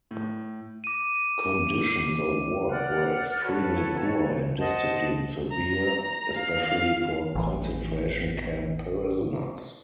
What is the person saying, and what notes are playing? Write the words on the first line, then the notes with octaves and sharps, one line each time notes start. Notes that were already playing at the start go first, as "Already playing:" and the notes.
Conditions of work were extremely poor, and discipline severe, especially for concentration camp prisoners.
A2
D6 D#7
D5 F#5 F6 F#6
F#4 A4 B4 C#5
C5 D#5 F#5 A5
A#5
F5
A1 E3